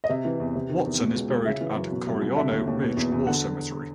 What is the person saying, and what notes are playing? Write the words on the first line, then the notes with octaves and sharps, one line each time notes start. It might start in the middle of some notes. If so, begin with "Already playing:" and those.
Watson is buried at Coriano Ridge War Cemetery.
D#5
C3 E5
E3
E2
C3
D#3
E2
B2
C#2
C#2
C#3 E5
E3
F#2
B2
C2
C2
D3 E5
D#2
D#2
B2
E2
E2
D3 F#5